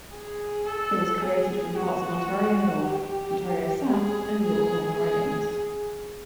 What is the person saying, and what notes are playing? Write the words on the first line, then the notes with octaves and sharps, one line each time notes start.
It was created from parts of Ontario North, Ontario South and York North ridings.
G#4
A4
G#4
F#4
G4
G#4
G#4
G#4